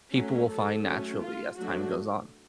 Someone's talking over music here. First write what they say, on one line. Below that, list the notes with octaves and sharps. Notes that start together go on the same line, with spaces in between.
people will find naturally as time goes on.
F#3 A3 C#4
A4
F#3 A3 C#4
F4
F#3 A3 D4 F#4